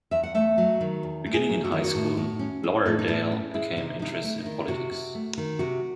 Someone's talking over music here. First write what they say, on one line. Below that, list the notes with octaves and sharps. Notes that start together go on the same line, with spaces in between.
Beginning in high school, Lauderdale became interested in politics.
E2 E5
F#5
A3 E5
F#3
D#3
E2
A3
G#4
F#3
F#4
D#3 E4
F#4
A2
A2
C#4
G#3
A2 D#4
D#4
A2 E4
C#4
G#3 E4
C3 D#4
C3 D#4
E4
A3
D#4
D#3
C3 F#4
C3
A3
D#3
C3 F#4